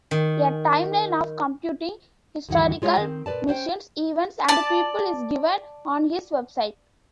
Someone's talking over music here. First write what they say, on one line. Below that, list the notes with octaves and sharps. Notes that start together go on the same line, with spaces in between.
A timeline of computing historical machines, events, and people is given on his website.
D#3
D2 G2 D#3 E3 F#5
G#3 F4 C#5 E5 F5
D#3 C4
A#2 C#3 B4 D5 A5
C#4 C5 F#5 G5
D5 A5